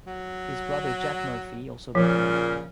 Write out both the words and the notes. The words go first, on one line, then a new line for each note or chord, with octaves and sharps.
His brother Jack Murphy also became an actor.
F#3
A#2 C#3 F3